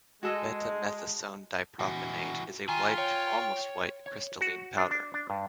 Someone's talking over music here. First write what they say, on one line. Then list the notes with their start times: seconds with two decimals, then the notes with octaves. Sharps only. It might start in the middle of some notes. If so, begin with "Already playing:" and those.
Betamethasone dipropionate is a white to almost white crystalline powder.
0.23 G#3 F#4 A4 D#5
1.79 E3 F#4
2.69 D#3 F4 G#5
2.98 C#5 G5
4.06 C#5
4.41 F#4
4.77 D4
4.91 D4
5.14 D4
5.30 G2